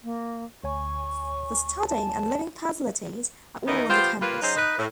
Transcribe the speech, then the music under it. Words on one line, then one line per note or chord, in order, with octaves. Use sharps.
The studying and living facilities are all on the campus.
A#3
D2 C#5 G#5 C#6
A5
E2 D#3 B3 D#4 E4
G3 B3 F4 G4 C5
G3 A#3 F4 B4
F#3 C#4 D#4 G#4 C5
D#4 B4
A2